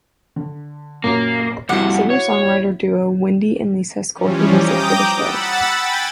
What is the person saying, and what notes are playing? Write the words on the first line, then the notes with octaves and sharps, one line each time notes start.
Singer-songwriter duo Wendy and Lisa scored the music for the show.
D3
F#2 A#2 A#3
G2 C3 F3 E4 F#4 F#5 D6
C#5
E3 F3 G3 C#4
G5 A#5 D6 D#6 G6
F#5 B5 E6 A6
G5 G#5 B5 A6